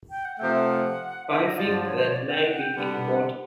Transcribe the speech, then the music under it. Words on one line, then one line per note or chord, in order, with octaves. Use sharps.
I think that may be important.
G5
F#5
C3 F3 A3 G5
F5
F#5
E5
D#5
G2 D3 F3 D5
C#5
C5
C#5
D5
G5
F#5
G5
D3 G3 B3 F#5